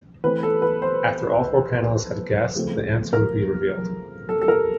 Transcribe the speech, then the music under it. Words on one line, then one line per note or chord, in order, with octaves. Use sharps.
After all four panellists had guessed, the answer would be revealed.
E3 A3 C4 B4
A4
B4
C5
C#3 F3 A3 C4
A#4
A4
A4
A#4